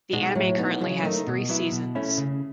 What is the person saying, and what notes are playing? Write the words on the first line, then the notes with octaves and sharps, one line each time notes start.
The anime currently has three seasons.
B2 G#3 D#4
A2 F#3
B2 B3 D#4
C#3 F#3
D#3 A3 D#4
B2
F#3 B3 E4
B2
A3 C#4 E4
C#3